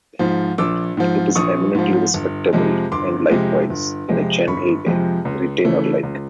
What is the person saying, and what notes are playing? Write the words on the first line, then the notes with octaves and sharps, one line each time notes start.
It is eminently respectable, and likewise, in a general way, retainer-like.
G#2 F3
A#1 D6 E6
G#2 F3
A#1 C#6 D#6
G#2 F3
G1
F2 C3 F3 G#3
G1 C6 D6
F2 C3 F3 G#3
G1
F2 C3 F3 G#3
G1 B5 C#6
F2 C3 F3 G#3
C#2
C#3 E3 A3
C#2